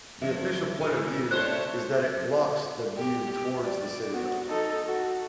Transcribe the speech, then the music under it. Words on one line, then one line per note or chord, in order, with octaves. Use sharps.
The official point of view is that it blocks the view towards the citadel.
C#3 F3 E5
A#2 E4 G#4 G#5
G2 G3 A4 C5 C#5 E5 A5 F#6
G4
D5
B3 F#4
D#4 A4
F#4